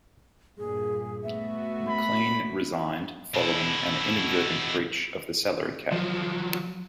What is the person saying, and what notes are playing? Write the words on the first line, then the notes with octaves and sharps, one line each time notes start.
McLean resigned following an inadvertent breach of the salary cap.
G2 A#2 G#4
A3 B3 F#4 E5
B5
B2 E4
F3 F#3